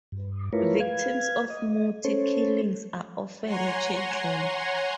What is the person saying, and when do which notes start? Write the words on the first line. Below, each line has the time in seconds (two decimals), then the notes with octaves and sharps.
Victims of muti killings are often children.
0.12 G2
0.53 A3 E4 F4 A#4 B4 C#5
0.80 B4 F5 G#6
1.50 D#5
2.04 C#4 A4 C5 C#5
3.45 C#5 F#5 G#5 A#5 C6